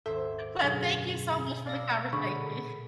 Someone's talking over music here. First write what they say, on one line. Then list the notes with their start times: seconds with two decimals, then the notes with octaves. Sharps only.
Well, thank you so much for the conversation.
0.06 D#1 G#1 A4 C5 E5
0.39 D6
0.63 F#2 B2 D3 G#4
1.67 D5 F5 A5 E6 A#6
2.13 A#2 D3 F#3 G#4 B5 C#6